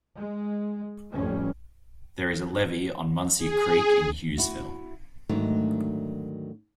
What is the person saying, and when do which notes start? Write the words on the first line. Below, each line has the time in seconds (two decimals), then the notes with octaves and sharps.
There is a levee on Muncy Creek in Hughesville.
0.16 G#3
1.12 A1 F2 F3 G3 C#4
3.38 G#4
4.38 E4 F#4
5.29 D2 G#2 D#3 F#3 A3 D4